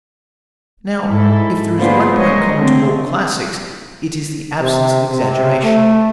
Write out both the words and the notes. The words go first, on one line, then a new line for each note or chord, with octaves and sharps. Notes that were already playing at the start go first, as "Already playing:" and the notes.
Now, if there is one point common to all classics, it is the absence of exaggeration.
G#2 E4 A4
A#3 B3 D4 F4 G#4 C5
G3 G#3 A#4 C5 C#5 D#5
D3 A3 C4
C3
C3
A3